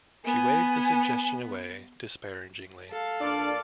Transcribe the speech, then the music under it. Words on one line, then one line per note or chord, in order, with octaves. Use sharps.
She waved the suggestion away disparagingly.
B3 G#5
A4 F5
A#2 D4 D5